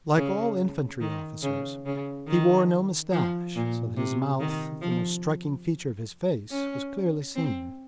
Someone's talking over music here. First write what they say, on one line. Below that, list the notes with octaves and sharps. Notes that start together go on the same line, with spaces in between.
Like all infantry officers he wore no mustache, so that his mouth, the most striking feature of his face, was clearly seen.
C#3
D#3
C#3
C#3
D#3
F3
A#2
C3
D#3
F3
C#4
C4